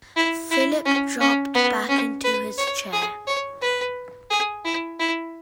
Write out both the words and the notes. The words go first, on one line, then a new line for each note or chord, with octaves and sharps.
Philip dropped back into his chair.
E4
E4
C#4
C#4
B3
C#4
B4
C#5
G#4
C#5
B4
G#4
E4
E4